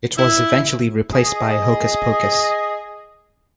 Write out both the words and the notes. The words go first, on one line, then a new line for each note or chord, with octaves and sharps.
It was eventually replaced by "Hokus Pokus".
E4
G#4 D#5